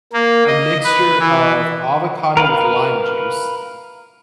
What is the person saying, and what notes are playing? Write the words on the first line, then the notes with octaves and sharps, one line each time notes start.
a mixture of avocado with lime juice.
A#3
D#5
B4
E3
A#4 B4 F5